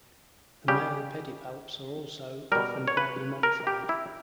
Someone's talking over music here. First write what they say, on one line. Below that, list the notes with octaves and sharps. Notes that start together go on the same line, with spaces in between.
The male pedipalps are also often highly modified.
C#3 G3 G4
B2 G3 A#4
C#5
B4
A#4
G4
E4